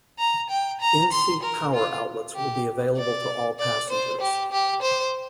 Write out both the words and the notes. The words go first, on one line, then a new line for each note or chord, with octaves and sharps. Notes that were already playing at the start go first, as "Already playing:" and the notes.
In-seat power outlets will be available to all passengers.
A#5
G5
A#5
C6
A#4
F4
G4
D5
D5
C5
G4
G4
C5